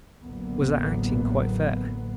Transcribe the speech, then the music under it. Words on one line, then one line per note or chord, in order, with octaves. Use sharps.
"Was that acting quite fair?"
A1 D2 A2 F#3 A#3 B3